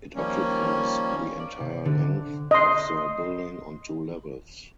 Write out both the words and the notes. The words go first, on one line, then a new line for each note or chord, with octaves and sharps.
It occupies the entire length of the building on two levels.
D#3 F3 G3 A#3 C#4
D5
C3
D3
D#5 C6